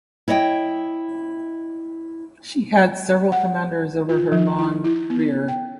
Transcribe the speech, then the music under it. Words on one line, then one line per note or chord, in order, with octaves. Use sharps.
She had several commanders over her long career.
E4 C#5 D#5 F#5 G5
F#5
F4
F3
E4
E4
B3
G5